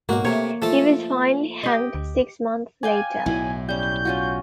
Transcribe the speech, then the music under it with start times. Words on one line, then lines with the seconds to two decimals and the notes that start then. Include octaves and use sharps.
He was finally hanged six months later.
0.09 B1 G#2 A#3 F#4
0.25 C3 A3 A#3 C#5
0.62 F3 A3 A4 A5
1.63 G4 D#5
1.95 D2
2.83 D5 F5 G5 G#5
3.26 B1 A2 E4
3.69 G3 C#4 G6
4.05 C#4 F4 F#4